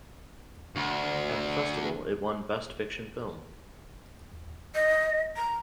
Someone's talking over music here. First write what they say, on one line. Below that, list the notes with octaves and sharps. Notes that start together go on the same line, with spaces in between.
At the festival it won Best Fiction Film.
D2
D#5
A#5